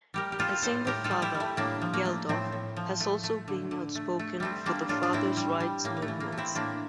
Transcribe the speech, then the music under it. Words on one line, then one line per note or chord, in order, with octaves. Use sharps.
A single father, Geldof has also been outspoken for the fathers' rights movement.
G3 G4 A#4
G4
G3 F4 A4
A2 A4 C5
A2 G4 A#4
F4 A4
G3
E4 G4
G3
A3
A2 A#3 D4
F3
A#3
A3
A2 A3 C4
A2
F3
A3
A3
D3
D3
A3
A3
G3 A3 C4
G3 A#3 D4
A2 D4 F4
D4
A2 C4 E4
G3
G3
A2 A#3
A#3
A3
E3
A#3
A3
C4 E4
A2 A#3 D4